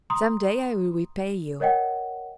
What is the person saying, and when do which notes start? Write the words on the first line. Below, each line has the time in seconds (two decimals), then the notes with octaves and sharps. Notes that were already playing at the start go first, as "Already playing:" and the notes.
"Some day I will repay you."
0.10 A#5 C6 D#6
1.60 A#4 C#5 D#5 F#5 G5